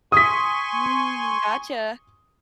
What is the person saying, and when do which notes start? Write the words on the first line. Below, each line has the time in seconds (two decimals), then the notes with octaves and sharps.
Mm, gotcha.
0.12 G#5 C6 C#6 D#6 B6